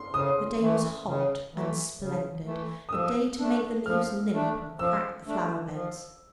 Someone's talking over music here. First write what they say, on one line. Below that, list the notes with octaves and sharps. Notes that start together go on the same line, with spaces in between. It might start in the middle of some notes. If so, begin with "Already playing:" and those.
The day was hot and splendid, a day to make the leaves limp and crack the flower-beds.
Already playing: C6
C#3 D#6
E3 A3
C#3
E3 A3
C#3
E3 A3
D#6
F3 E6
A3 D4
F3 F6
A3 D4
F3 E6
A3 D4
F3